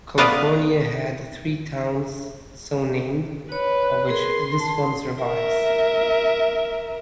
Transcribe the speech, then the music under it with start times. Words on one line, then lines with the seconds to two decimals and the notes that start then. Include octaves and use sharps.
California had three towns so named of which this one survives.
0.18 A3 B3 B4 D5 D#5 F5
3.52 B4 C#5
4.09 G#4 A#4 C6
4.59 A5
5.22 A#4 E5